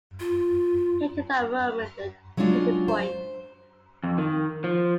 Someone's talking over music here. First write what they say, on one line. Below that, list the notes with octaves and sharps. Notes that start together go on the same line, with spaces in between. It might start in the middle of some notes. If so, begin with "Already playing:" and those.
He called that moment the "tipping point".
F4
F#3 G#3 C#4 D4 F4
C5
F2
D#3
F3